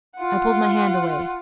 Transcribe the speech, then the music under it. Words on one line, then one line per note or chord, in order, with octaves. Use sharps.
I pulled my hand away.
F4 F#5